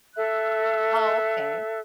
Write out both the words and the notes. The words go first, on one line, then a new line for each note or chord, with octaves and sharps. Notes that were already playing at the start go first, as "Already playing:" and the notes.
Oh, okay.
A4 E5 F#6